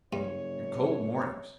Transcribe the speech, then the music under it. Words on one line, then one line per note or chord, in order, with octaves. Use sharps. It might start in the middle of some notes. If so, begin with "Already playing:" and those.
And cold mornings.
F#1 G2 C#5